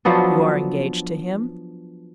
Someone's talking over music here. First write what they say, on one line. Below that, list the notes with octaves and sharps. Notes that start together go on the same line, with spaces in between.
"You are engaged to him?"
F3 F#3 B3 D4